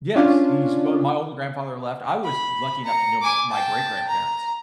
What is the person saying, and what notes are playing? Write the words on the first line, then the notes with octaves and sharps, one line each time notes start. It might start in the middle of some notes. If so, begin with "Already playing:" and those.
Yes, he's well my only grandfather left I was lucky enough to know my great-grandparents,
C#4 D4 F4
B5
A#5 C#7
G#5 D6
G5 A5
A#5